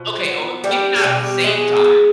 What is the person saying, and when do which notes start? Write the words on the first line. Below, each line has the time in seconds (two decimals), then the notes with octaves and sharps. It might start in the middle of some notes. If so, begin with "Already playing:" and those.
Okay. Oh, maybe not at the same time
Already playing: B2 F3
0.25 B3
0.64 G3 B3 G4
0.96 G#4
1.04 B2 G3 G4
1.44 G#3 B3 G#4
1.84 B3